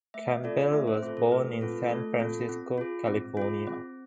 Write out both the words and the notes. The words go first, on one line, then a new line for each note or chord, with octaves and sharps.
Campbell was born in San Francisco, California.
A3 E5
C4 F4 A4 D5
A3 E5
C5
C4 F4 A4
A4
A3 B4
C4 F4 A4
A3 A4
C4 F4 A4
C4
F4 G#4
C4
F4 G#4
C4